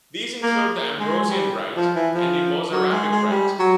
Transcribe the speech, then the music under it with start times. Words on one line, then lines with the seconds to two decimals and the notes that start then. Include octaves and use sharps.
These include the Ambrosian Rite and the Mozarabic Rite.
0.42 A#3
1.00 G#3
1.29 G3
1.77 F3
1.96 E3
2.15 F3
2.72 F#3
2.91 G#3
3.11 G#3
3.30 G3
3.59 F#3